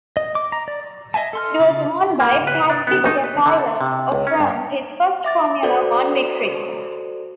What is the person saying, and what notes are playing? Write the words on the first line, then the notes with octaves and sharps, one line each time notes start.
It was won by Patrick Depailler of France, his first Formula One victory.
D#5
D6
A#5
D5
D#5 E5 G#5 A5
A4 C6 F6
C#3 F4 D6
A#3
B4
D4
B3
D#4
B4
D3
A4
C3
C#2
C#4
G2
E5 D6 A6
F#4 A4 C5 D5